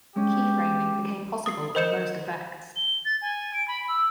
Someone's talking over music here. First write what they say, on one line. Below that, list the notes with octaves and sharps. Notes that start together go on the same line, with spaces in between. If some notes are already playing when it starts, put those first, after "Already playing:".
Keyframing became possible on most effects.
G#3 C#4 G4
D#6 C7
A#4 C5 D#5 G6 C#7 E7
G7
A6
G#5
D7
B5
E6